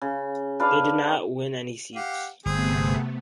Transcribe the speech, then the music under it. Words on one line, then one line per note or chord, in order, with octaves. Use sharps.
They did not win any seats.
C#3
D4 B4 D5 F5
G4 F5 F#5
G1 C3 A3 B3 C4 G#4